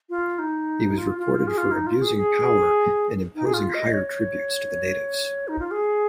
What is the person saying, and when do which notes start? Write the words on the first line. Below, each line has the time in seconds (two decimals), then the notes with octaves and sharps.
He was reported for abusing power and imposing higher tributes to the natives.
0.10 F4
0.39 D#4
0.98 F4
1.18 F4
1.38 F4
1.48 G#4
1.58 F4
1.72 D#4
1.87 F4
2.02 G#4
2.17 G#4
3.35 D#4
3.46 G#4
3.54 F4
3.74 D#5
3.93 C#5
5.48 D#4
5.60 F4
5.71 G#4